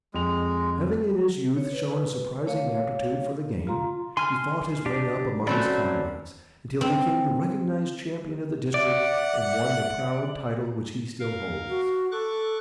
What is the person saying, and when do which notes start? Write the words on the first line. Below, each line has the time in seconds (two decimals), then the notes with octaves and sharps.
Having in his youth shown a surprising aptitude for the game, he fought his way up among his comrades, until he became the recognised champion of the district and won the proud title which he still holds.
0.14 F2 G#3 F7
1.57 C#5
1.73 B4
2.46 A3 C#5 F5
3.67 F4 F5 A#5 C6
4.17 G#5 C6 F6
4.86 D4 G4
5.47 F#3 A3 C4 C#4 D5 B5
6.81 C4
8.74 D5 E5 F#5
11.19 A#4 F5
11.68 F#4
12.12 A4 C#6 D6 F#6